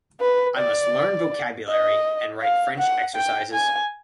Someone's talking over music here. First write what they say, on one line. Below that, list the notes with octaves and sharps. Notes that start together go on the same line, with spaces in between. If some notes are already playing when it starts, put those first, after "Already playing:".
I must learn vocabulary, and write French exercises.
B4
D5
D#5
F5
F#5
G5
G#5